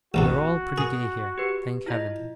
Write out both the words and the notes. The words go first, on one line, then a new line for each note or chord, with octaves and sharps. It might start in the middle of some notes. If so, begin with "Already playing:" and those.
'We are all pretty gay here, thank Heaven!
A1 E2 D3 F#4
G#4
G4 B4
E4 F4 D#5